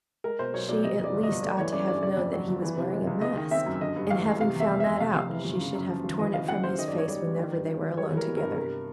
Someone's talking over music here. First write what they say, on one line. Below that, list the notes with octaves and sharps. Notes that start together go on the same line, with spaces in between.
She, at least, ought to have known that he was wearing a mask, and having found that out, she should have torn it from his face, whenever they were alone together.
G#3 A#4
B2 C5
B1 C#5
B1 D5
C3 D#5
F2
D5
G1
D#5
G1
A3 D5
E3 C#5
C#4 D5
G2 D5
C#3 D5
F2
F#3
G1
E3
C3
G#3
C#2
G#3 D#5
D#3
C4 E5
F#2
D3 D#5
G2
A1 F5
A1
C3 F5
E2 E5
F1
F1 E5
C3 F5
F2
E3
G1
C#3
F#2
F3
G#1
E3 D#5
C#3 F5
F#2 F#5
F#2 C5
D#3 D#5
D5
G#2 C#5
G3 D5
A1
D#3
G2
G#1
G#1
G3 C#5
E3 A#4
B3
G2 A#4
C3 A#4